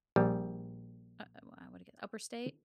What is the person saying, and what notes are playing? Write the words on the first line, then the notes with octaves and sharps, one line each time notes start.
uh uh, why I woulda get li upper state?
A#1 G3